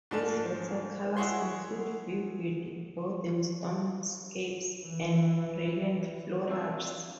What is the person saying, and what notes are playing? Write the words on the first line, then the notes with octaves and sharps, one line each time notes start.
His watercolors include vivid, brooding storm-scapes and brilliant florals.
G#2 F3 D4 A5
E4 F#4 G#4 C#5 C6
E3
C3 F3 F#3 D4 F4 E5